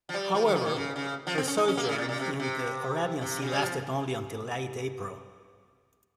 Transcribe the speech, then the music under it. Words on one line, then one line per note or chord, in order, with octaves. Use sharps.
However, her sojourn in the Arabian Sea lasted only until late April.
F3
G3
F3
D#3
F3
D#3
C#3
C#3
F3
C4
C#4
D#4
C#4
A#3
C#3
A#2
A#2
C3
C3
C3
C#3
G3
F3